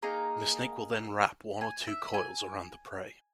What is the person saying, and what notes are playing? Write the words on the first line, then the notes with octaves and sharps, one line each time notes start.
The snake will then wrap one or two coils around the prey.
A#3 D#4 G#4 A#5
G#5
E5
G#5